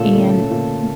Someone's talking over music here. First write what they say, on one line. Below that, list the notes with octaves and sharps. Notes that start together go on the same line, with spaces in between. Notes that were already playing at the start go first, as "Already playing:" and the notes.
And m
Already playing: A#2 A3 C#4 A4
A3
C#4
A#2